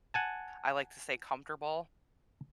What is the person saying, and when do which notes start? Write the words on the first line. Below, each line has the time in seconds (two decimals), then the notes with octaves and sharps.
I like to say, comfortable?
0.14 F#5 G#5 A5